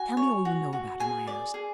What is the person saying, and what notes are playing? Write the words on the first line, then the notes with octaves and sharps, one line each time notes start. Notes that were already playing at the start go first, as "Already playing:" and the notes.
"Tell me all you know about him?" I asked.
Already playing: F#4 G#5
C#5
F#4
F#4
G#4 G#5
D5
G#4